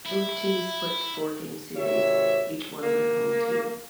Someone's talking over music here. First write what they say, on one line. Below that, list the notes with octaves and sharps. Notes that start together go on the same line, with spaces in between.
Both teams split the four-game series, each won by the home team.
E4
G#1 C3 C#5 E5
A#3